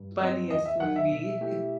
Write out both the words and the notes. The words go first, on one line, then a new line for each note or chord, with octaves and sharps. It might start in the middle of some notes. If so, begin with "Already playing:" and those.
funniest movie.
Already playing: G2
F#3 C4 D#5
D#2 D#5
E5
D#3 F#3 F#5
E5
B2
A3 E4 G4